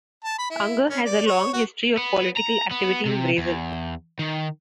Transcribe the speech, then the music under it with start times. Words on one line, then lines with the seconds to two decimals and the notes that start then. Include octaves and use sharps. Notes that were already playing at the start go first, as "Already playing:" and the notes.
Unger has a long history of political activity in Brazil.
0.25 A5
0.39 B5
0.50 E4
0.90 C#4
1.05 D5
1.27 C#5
1.53 F#4
1.97 B3
2.37 A#5
2.71 B3
3.06 C3
3.38 E2
4.19 D#3